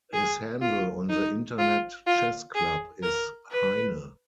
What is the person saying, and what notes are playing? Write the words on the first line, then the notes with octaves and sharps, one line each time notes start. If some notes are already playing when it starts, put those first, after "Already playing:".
His handle on the Internet Chess Club is "Heine".
G#4
F4
D#4
F4
F4
G#4
A#4
B4